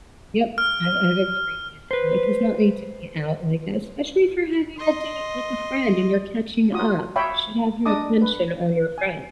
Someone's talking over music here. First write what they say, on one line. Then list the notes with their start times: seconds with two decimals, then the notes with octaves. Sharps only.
Yep. I I agree with you. It does not need to be out like that, especially if you're having a date with a friend and you're catching up. You should have your attention on your friend.
0.58 F6
1.91 B4 C5
4.78 D#5 C6
6.73 F4 F#4 D#6
7.16 C#5 E5 F5 G5 B5
7.86 D4 D#5 A5 D6 D#6
8.21 B4
8.98 G#5